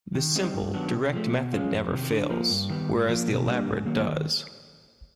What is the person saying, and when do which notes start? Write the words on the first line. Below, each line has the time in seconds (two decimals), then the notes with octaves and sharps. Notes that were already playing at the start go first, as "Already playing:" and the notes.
The simple, direct method never fails, whereas the elaborate does.
0.15 D#3
0.36 G3 C4 D#4
0.54 G2
0.74 D#3 F#3 B3 D4
0.94 C3
1.13 F3 A3
1.32 B2
1.53 G#3 C#4 F4
1.71 F2
1.91 C3 D#3
2.11 D3
2.30 F3 A#3
2.50 G2
2.70 D#3 G3 B3
2.88 G#2
3.09 F3 A#3
3.28 B2
3.48 G3 A#3 D4
3.67 G#2
3.86 D#3 F#3 A#3
4.06 D#3